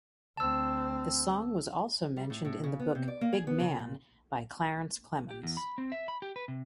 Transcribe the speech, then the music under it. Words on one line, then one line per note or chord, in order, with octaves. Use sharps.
The song was also mentioned in the book "Big Man" by Clarence Clemons.
D2 C4 A5 E6
G3
A2
A2
C#3
B3
C3
D5
A#3
G#4
B3
C#3
A#2
G4
E2
B5
C4
E5
B5
G4
B4
C3